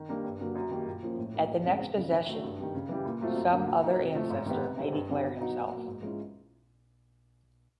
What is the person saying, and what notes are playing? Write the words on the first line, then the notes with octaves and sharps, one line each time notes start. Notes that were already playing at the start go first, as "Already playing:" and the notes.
At the next possession, some other ancestor may declare himself.
Already playing: D#3
G3 A#3 D4
G2
D3 F#3 A#3
F#2
D#3 G3 A#3 D#4
A#2
F3 A#3 C#4
A2
F#3 A#3 D#4
F#2
C#3 E3 G#3 C4
E2
C#3 F3
D#3
F#3 A3
G2
D#3 G3
C#3
E3 G3
A#2
F#3 A3 C4 F4
F#2
D3 F#3 A#3
A#2
F#3 A#3 D#4
C3
F3 A3
G#2
D#3 G3 B3
C3
D#3 G3 C4
G2
D3 G3 C4
B2
F#3 B3 D#4 F#4
A#2
F#3 A#3
G#2
E3 G#3 C#4 F4